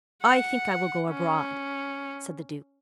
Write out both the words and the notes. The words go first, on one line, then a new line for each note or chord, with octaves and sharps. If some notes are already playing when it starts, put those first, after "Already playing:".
"I think I will go abroad," said the Duke.
F#5
C#4